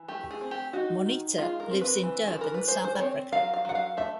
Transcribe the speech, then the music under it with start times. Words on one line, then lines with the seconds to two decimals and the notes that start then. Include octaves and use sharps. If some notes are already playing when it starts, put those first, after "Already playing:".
Moneta lives in Durban, South Africa.
Already playing: E3
0.08 A3 G4
0.31 G#4
0.41 C4
0.51 G4
0.73 D#4 F#4
1.06 D#3
1.38 G#3 F4
1.60 A#4
1.71 C4
1.81 B4
2.03 E3
2.27 A4
2.36 E3
2.41 A#4
2.54 B4
2.68 G#3 C5
2.84 C5
2.95 D5
3.00 C4 C#5
3.32 F#3 F5
3.54 F5
3.65 F#3 F#5
3.75 F5
3.97 A3 E5